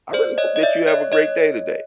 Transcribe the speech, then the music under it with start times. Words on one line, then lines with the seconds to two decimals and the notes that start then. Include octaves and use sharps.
I really hope that you have a great day today.
0.13 C5 D5
0.38 C#5 D#5
0.56 D#5
0.63 D5 E5
0.87 C#5 D#5
1.12 C#5 D#5